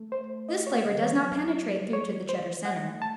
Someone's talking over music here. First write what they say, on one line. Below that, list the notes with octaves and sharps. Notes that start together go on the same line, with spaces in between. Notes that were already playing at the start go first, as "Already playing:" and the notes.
This flavor does not penetrate through to the Cheddar center.
Already playing: A3
C5
D#5
C#5
C#3 D#5
D#3
C#5
F3
F#3
C#5
C5
A3 F#5
A5